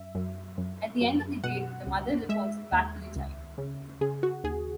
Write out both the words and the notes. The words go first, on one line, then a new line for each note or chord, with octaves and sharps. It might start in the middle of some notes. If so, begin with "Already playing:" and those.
At the end of the date the mother reports back to the child.
Already playing: F#2 E5
F#2
F#2
F#2
B2 F#5
C#2
G#3 E5
D#2
C#2
C#3
C#3 G#4
F#4
D#2 G#4